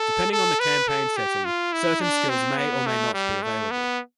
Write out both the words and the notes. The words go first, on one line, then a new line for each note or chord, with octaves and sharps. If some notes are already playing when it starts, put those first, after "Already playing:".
Depending on the campaign setting, certain Skills may or may not be available.
Already playing: A4
A4
B4
A4
G4
F4
E4
D4
C4
B3
A3
G3
A3
B3